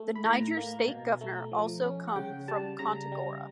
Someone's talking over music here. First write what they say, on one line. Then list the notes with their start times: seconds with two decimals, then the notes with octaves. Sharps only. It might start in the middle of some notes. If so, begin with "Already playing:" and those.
The Niger state governor also come from Kontagora.
Already playing: A3
0.15 B5
0.25 A2 A#5
0.57 A#3
0.88 B2
1.21 A3
1.52 F3
1.84 C#4
2.08 F#5
2.16 C#3 G5
2.48 G3 A5
2.79 C#3 A#5
3.12 G3